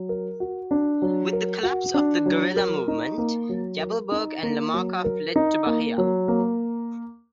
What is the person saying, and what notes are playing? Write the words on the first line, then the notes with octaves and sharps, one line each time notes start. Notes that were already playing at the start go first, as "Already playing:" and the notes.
With the collapse of the guerrilla movement, Yavelberg and Lamarca fled to Bahia.
Already playing: F#3
A#4
F#4
D4
F#3
A#4
F#4
D4
F#3
A#4
D#4
A#3
F#3
A#4
D#4
A#3
F#3
A#4
D#4
A#3
F#3
A#3